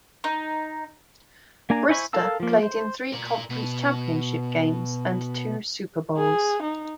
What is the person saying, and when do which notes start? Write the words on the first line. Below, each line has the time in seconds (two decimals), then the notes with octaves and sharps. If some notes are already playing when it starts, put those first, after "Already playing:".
Brister played in three conference championship games and two Super Bowls.
0.24 D#4
1.70 A#3 D4 G#5 A#5
1.88 E4 C5 G#5 B5 C#6
2.13 A4 A#4 F5 A5 E6
2.40 F3 A#3
2.63 C5
3.13 A#4 D5
3.51 B2
6.17 G#4
6.62 D#4